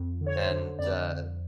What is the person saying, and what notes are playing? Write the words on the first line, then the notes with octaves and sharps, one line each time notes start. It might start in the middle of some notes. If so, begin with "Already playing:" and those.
And, uh
Already playing: F2
D3
C#5
C5
D3
F2 D5